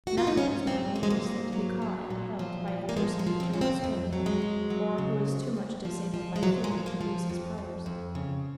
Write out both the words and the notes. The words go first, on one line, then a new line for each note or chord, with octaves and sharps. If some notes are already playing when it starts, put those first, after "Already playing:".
Nothing is more dangerous than to be caught and held by a person who cannot swim, or who is too much disabled by fear to use his powers.
F#4
F4
D#4
G#2 C#4
F#3 C4
G#2 A#3
G#3
A#3
G#2
F#3
F#3
A#2
F3
A#2
A#3
F3 G#3
G#3
F3
C4
F3 C#4
C4
F2
F#3
G#3
F#3
F#3
C#3
F2
G#2
F3
F3
G#3
F3 F#3
G#3
F3
A#3
F3
F2
F2
F2
C#3